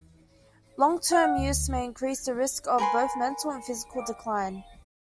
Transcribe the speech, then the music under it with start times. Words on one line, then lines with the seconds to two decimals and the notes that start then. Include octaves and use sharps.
Long-term use may increase the risk of both mental and physical decline.
1.12 F#5
1.24 F#5
1.38 D2
2.78 A#4 B4 G#5 C6